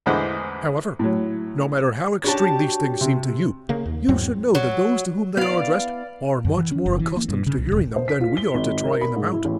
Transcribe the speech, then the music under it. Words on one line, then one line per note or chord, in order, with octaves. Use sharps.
However, no matter how extreme these things seem to you, you should know that those to whom they are addressed are much more accustomed to hearing them than we are to trying them out.
A1 E2 D3 G#3 C5 F#5
A2 F#3
C#4 D4 F#4 G4 A5
C3
C#3 A#3
D#2
E2 G#2 F#3 C4
F#3
B3 E4 D5 F5
F#2
E3
C#4
F#1
E3
A#3
G2
C#3
C2
E1
C5
B6
F4
G7
G#1
A#4
B5
G#2
E4
A1